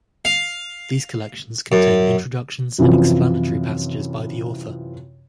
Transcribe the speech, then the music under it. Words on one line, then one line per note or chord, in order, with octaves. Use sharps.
These collections contain introductions and explanatory passages by the author.
F5
F#2
F#2 C3 E3 F3